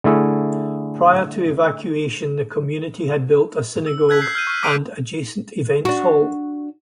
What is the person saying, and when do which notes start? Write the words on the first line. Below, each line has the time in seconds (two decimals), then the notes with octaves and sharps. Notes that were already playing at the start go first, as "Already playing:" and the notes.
Prior to evacuation the community had built a synagogue and adjacent events hall.
0.04 D3 A3 E4 G#4
3.86 E6
4.09 E6 F#6 G#6 B6
4.21 G6 C7
4.35 F6 G6 D#7
4.47 C#6 F6
4.63 D6 F#6 B6 C7 D7 D#7
5.85 D4 F#4